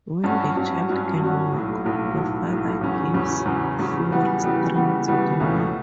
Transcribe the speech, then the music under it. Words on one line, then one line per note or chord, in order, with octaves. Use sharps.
When the child can walk, the father gives fur-string to the man.
G2 F#3 C#4 F#4
G2 F#3 C#4 F#4
G2 F#3 C#4 F#4
G2 F#3 C#4 F#4
B1 A2 F#3
B1 A2 F#3
B1 A2 F#3
B1 A2 F#3
E2 C#3 F#3 C#4
E2 C#3 F#3 C#4
E2 C#3 F#3 C#4
E2 C#3 F#3 C#4
C#3 E3 G3 B3 F#4
C#3 E3 G3 B3 F#4
C#3 E3 G3 B3 F#4
C#3 E3 G3 B3 F#4
C#2 B2 A3 C#4 E4